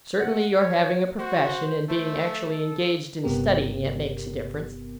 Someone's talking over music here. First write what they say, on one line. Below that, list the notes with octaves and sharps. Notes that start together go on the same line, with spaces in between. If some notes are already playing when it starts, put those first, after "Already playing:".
Certainly, your having a profession, and being actually engaged in studying it, makes a difference.
F#5
C#5
F#4 C5
A3 C5
A4
G1 G2 C3 B3 G4 A#4